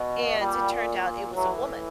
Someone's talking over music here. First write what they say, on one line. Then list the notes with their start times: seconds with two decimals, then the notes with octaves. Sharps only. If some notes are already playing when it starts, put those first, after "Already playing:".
and it turned out it was a woman.
Already playing: B2
0.39 A#2 G3
1.35 A2 E3 F#3